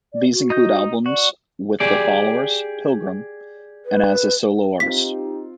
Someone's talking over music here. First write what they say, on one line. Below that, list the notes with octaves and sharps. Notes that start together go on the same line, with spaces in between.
These include albums with The Followers, Pilgrim, and as a solo artist.
D5
F#4
D#4 D#5 G6
F#4 D5
G4 G#4 D5
B4
C4 D#4 F4 G4 B6